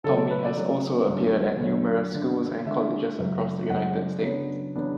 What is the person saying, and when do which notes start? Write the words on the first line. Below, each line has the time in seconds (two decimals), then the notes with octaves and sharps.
Tommy has also appeared at numerous schools and colleges across the United States.
0.04 C#3 F#3 A3 A4
0.17 A4
0.31 B4
0.44 D5
0.57 C#3 F#3 A3
1.09 F#2 D3 F#3 A3
1.61 F#2 D3 F#3 A3 C#5
2.14 D3 G#3 D4
2.66 D3 G#3 D4 E5
3.19 F#2 C#3 G#3
3.70 F#2 C#3 G#3 F#5
3.97 D5
4.23 C#3 F#3 B3 D4 C#5
4.76 C#3 F#3 B3 D4